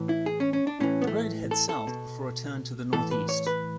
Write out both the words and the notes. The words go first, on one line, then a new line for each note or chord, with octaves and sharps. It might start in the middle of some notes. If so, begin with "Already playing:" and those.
The road heads south before a turn to the northeast.
Already playing: A2 E3
E4
G#4
C#4
C#4
D4
A2 E3 C#4
B3
A3
A4
A4
B2
A2 E3 A4
B4
C#5
B4